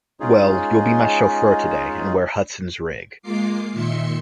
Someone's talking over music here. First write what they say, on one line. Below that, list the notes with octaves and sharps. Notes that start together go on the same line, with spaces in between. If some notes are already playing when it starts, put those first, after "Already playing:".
Well, you’ll be my chauffeur today and wear Hudson’s rig.
G#3 C#4 D#4 F4 G#4
G#3 A#3 F4 D6 C7
A#2 D#3 E5 C6 C#7